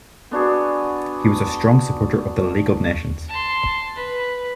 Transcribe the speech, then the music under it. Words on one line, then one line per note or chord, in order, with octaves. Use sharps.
He was a strong supporter of the League of Nations.
B3 D4 F#4 G#4
A5 C6
B4